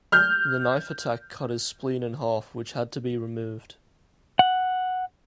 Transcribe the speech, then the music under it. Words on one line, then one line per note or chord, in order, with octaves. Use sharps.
The knife attack cut his spleen in half which had to be removed.
F6 G6
F#5